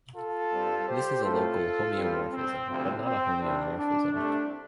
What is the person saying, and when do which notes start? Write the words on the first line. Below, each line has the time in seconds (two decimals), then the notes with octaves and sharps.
This is a local homeomorphism but not a homeomorphism.
0.16 F4 A4
0.51 G2 G3 C4
0.88 G4 C5
1.24 A2 A3 C4 F4 A4
1.97 G2 G3 C4
2.32 C4
2.69 D2 C3 F3 C4
3.04 C4
3.40 C2 C3 G3 D4
3.78 D4
4.13 C2 C3 A3 D4